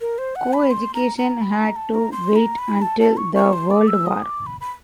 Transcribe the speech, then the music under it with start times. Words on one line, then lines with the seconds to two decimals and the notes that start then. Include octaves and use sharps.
Coeducation had to wait until the World War.
0.01 A#4
0.18 C5
0.36 F#5
0.53 B5
0.71 C6
0.94 A#5
1.18 A#5
1.41 B5
1.59 A#5
1.76 A5
1.94 A#5
2.12 C6
2.36 A#5
2.58 B5
2.82 A5
3.00 A5
3.17 C#6
3.35 C#6
3.53 C6
3.71 D6
3.88 E6
4.06 D#6
4.23 D6
4.46 B5
4.61 B5